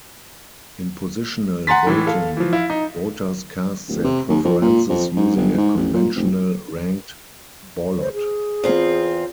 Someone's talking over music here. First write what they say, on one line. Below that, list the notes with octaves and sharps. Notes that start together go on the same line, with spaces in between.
In positional voting, voters cast their preferences using a conventional ranked ballot.
F#5 G#5 A#5 C6 A6 B6
A2 E3
A4 F5
E3 F3
E4 F5
D#4
D1
C3
D#2
F2
A#2
F2
G#2
G1
G#2
A1
A#2
F1
C5
G#4
E2 C4 F4